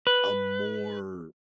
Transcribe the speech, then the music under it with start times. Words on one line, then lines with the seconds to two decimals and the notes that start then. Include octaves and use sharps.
a more
0.07 B4